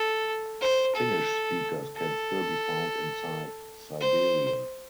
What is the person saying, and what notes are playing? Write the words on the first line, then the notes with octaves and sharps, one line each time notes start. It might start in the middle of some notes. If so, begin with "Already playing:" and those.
Finnish speakers can still be found inside Siberia.
Already playing: A4
C5
A4
A4
C5